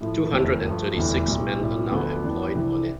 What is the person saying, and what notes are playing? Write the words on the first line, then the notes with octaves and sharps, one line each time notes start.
Two hundred and thirty-six men are now employed on it.
A2 F3 A3
F1 E2 D3 A3
G2 F3 A3
F1 E2 D3 G3
B1 A2 G3
B1 A2 G3
D2 D3 F3 B3 D4
F2 E3 B3 D4
C2 C3 E3 G3 D4